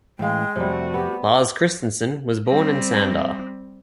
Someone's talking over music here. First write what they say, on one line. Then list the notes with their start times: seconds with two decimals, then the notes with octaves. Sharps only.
Lars Christensen was born in Sandar.
0.19 A2 E3 G#3 F5 G5
0.56 F2 C3 G3 A3 F#4
0.94 B3 G4
2.47 G3 C4